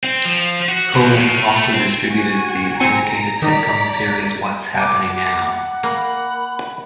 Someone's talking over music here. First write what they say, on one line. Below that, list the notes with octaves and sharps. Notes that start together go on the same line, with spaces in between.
Colex also distributed the syndicated sitcom series What's Happening Now!!
C4
F3
F#4
E2
A2
A3
C4
F#4 G#5
C4 G#5 A#5 A#6 C#7
D#3 D#4 D5 A#5 B6
F#5 D6
A#3 B5